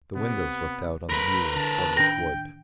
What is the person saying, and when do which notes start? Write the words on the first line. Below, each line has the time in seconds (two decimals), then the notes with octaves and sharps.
The windows looked out on a view of Fordwitch Wood.
0.16 C3 B3
1.10 F1 F#2 A#4 B4 B5
1.56 D3 A5
1.97 A2 D#3 D4 G5 A#6